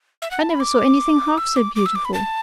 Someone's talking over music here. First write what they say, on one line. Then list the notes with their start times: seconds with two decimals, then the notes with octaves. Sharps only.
I never saw anything half so beautiful!
0.22 E5
0.31 F#5
0.41 A5
0.50 B5
0.60 D6
1.38 E6
1.56 D6
1.76 D6
1.86 E6
1.95 D6
2.05 B5
2.14 A5